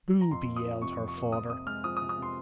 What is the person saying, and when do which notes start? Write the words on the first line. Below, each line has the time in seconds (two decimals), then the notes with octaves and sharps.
"Booby!" yelled her father.
0.21 A#5
0.31 F2 C6
0.48 A#3
0.56 D#6
0.65 F3
0.82 C3 C#6
0.99 F2
1.08 C#6
1.16 A#3
1.32 C3 D#6
1.50 C3 D#6
1.67 G#3 F6
1.84 F3 D#6
1.97 D#6
2.01 C3
2.09 D#6
2.18 C3 C6